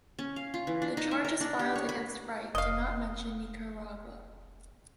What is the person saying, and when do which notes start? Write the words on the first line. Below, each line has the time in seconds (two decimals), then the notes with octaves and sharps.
The charges filed against Wright did not mention Nicaragua.
0.19 C#4
0.36 F5
0.54 F4
0.67 E3
0.82 D4
0.97 D#4
1.11 E5
1.24 A#4
1.40 D4
1.59 G4
1.76 C#5
1.89 B5
2.55 F1 D#5 F5